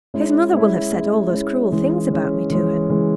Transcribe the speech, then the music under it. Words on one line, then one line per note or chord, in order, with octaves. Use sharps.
His mother will have said all those cruel things about me to him.
G#3 C#4 E4
G#3 C#4 E4
G#3 C#4 E4
G#3 C#4 E4
E3 G#3 C#4
E3 G#3 C#4
E3 G#3 C#4
E3 G#3 C#4